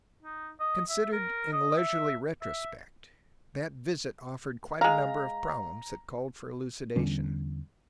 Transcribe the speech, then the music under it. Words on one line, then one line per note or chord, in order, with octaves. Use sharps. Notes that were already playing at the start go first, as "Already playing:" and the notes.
Considered in leisurely retrospect, that visit offered quite a number of problems that called for elucidation.
D#4
D#5
E5
A#4
D#5
E5
E5
G#3 F5 A#5
E2 D3 G3 C#4